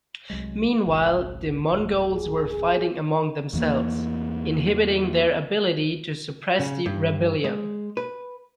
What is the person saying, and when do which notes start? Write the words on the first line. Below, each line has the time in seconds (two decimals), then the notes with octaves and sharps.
Meanwhile, the Mongols were fighting among themselves, inhibiting their ability to suppress the rebellion.
0.30 C2 F#3 G#3
0.86 G#1 C#2 C#3
1.72 D1 A#1
2.13 G#4
2.50 G#4
3.53 E2 E3 A#3
6.59 C#3
6.86 G2
7.44 G#3
7.97 B4